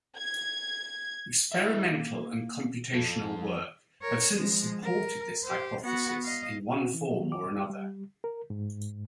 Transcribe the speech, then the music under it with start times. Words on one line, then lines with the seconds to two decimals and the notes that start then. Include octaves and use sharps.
Experimental and computational work have since supported this hypothesis in one form or another.
0.17 G#6
1.52 E4 B4 D#5 E5
1.91 A#3
2.93 F2 F4 A4
4.02 A#4 C#5
4.32 F3 G#3
4.83 A#4
5.44 G4 C5
5.81 B3 F#4
6.25 D#5 F5
6.75 F#4
6.94 E3
7.11 F#3
7.32 D6
7.70 G3
8.24 A#4
8.50 G#2